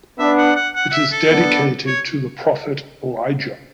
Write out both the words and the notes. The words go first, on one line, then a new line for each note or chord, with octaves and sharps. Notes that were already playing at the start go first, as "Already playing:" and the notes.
It is dedicated to the Prophet Elijah.
B3 D4 E5
F#5
F#5
F#5
F#5
E5
A4
B3 D4
C#5